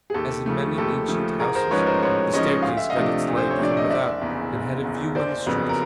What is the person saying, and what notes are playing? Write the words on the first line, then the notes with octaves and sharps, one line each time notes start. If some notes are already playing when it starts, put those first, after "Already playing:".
As in many ancient houses, the staircase got its light from without and had a view on the street.
G#4
D#2 G4 A4
C#3 F3 A3
D#2 G4 A4
C#3 F3 A3
A1 G#4 A#4
A#4 C5
G#2 F3 G#3 C#4 B4 C#5
A#4 C5
C5
A1 B4 C#5
G#2 F3 G#3 C#4 C#5 D#5
D2 F5
E5
D#5 F5
C3 F3 A3 D4
D2
C5
C#5
C3 F3 A3 D4 D5
D#5
F#1 D5 E5
E2 C#3
F#1
E2 C#3
F#1 C5 D5
F2 C#3 F#3 B3
A#4